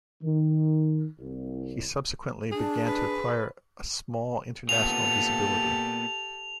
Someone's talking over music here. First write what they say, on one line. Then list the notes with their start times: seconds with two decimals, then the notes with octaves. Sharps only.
He subsequently began to acquire a small international visibility.
0.23 D#3
1.19 C2
2.52 D4 G#4
2.84 B4
4.69 A#2 B3 G4 A4 F7